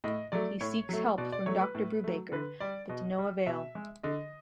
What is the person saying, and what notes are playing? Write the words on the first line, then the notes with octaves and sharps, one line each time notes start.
He seeks help from Doctor Brubaker, but to no avail.
A2 D#5
F#3 A3 D5
A2 C#5
F#3 A3
B2 D5
D5
F#3 A3 C#5
B4
A2
F#3 A3
D3 B4
G3 D5
B2 D#5
G3
B2 E5
G#3
D3 D#5